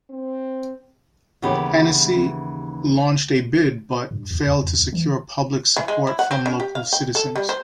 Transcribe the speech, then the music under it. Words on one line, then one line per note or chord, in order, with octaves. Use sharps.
Annecy launched a bid, but failed to secure public support from local citizens.
C4
D#2 C#3 E3 B3 G4
G2
D#2
D#2
E2
D#2
E3
E3
G#3
E4
F#5
C4
C#4
G4
F5
G5
A4
G3
C5